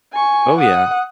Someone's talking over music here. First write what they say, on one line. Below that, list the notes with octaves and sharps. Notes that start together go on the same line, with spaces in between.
Oh yeah.
G#5 C#6
F#5 D#6